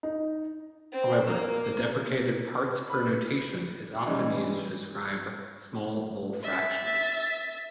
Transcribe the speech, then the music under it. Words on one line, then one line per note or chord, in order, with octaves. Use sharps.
However, the deprecated parts-per notation is often used to describe small mole fractions.
D#4
C4
A#3
B4 B5
E3 G3 G#3 C#4 D#4
E5 A6